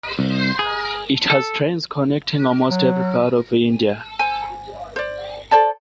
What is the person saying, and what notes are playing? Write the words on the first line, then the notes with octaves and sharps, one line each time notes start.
It has trains connecting almost every part of India.
C2
G#4
A4
F#3
C5 G#5
C5 D5
A4 C5 D5 A5